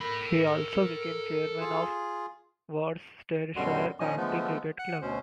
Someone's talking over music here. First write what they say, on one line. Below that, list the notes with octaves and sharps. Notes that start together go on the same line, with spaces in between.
He also became chairman of Worcestershire County Cricket Club.
A4 A#4 B5
F4 G#4
F#2 B2 D3 G3 F#4 C6
A#2 F3 C#4 D#4 D#5 G#5
D3 F3 G#3 A3 B3
F#5 F#6
D2 B2 C#4 C5